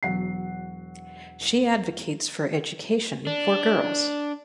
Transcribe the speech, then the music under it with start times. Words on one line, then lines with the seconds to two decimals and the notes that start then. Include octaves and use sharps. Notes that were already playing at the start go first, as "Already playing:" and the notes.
She advocates for education for girls.
0.03 E1 F#3 F#5 C7
3.27 D4